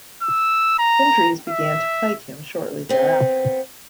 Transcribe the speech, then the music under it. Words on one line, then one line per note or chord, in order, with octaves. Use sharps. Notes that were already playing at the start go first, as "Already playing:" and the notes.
Injuries began to plague him shortly thereafter.
E6
A#5
E5
B3 C4